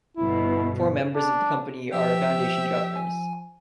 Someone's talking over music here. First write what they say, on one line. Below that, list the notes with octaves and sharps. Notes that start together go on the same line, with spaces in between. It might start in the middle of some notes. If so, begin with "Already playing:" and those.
Four members of the Company are foundation governors.
G1 B2 E4
D4
F3 G4 C5 E5
G#5